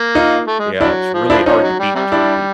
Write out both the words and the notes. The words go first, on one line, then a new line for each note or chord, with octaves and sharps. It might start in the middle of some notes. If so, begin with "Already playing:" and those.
yeah, it's really hard to beat turkey.
Already playing: A#3
D#4 F4
A3
G#3
F#3 D4 E4
F3
F3 D4 E4
F3 C#4 D#4
F#3
G3
C3 G3
D4 E4